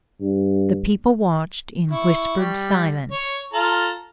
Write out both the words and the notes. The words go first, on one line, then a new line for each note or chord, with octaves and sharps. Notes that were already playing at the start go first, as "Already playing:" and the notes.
The people watched in whispered silence.
G2
E4 C#6
G3
C#5
F4 A4 A#5